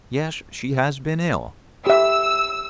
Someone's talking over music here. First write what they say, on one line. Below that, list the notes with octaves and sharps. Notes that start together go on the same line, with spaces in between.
"Yes, she has been ill."
G4 E5 E6